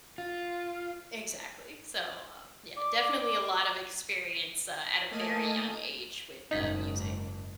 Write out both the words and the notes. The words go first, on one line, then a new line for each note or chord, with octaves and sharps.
Exactly. So, um, yeah, definitely a lot of experience, uh, at a very young age with, uh, music.
F4
D5 D6
A3 A#3 D#5 G#5 A5 D#7
F#1 G#2 D#4 B6